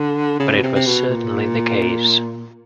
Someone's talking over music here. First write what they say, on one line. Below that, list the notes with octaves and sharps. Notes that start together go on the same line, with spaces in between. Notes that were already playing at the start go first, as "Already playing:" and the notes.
But it was certainly the case.
Already playing: D3
C#3
B2
C3
C3
B2
A#2